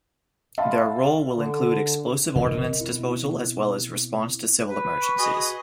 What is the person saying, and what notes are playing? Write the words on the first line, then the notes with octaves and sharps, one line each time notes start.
Their role will include explosive ordnance disposal as well as response to civil emergencies.
E5 F5 A5 B5 C6
D3
B2 C4 A#4 D#5
E4
B4
C#6
F#4 G#4 D#5